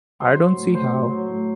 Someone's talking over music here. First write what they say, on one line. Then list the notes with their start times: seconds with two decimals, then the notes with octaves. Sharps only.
I don't see how.
0.20 F#3 C5 C6
0.39 F#3
0.56 A2
0.74 A2 C5 C6
0.92 F#3
1.09 F#3
1.27 A2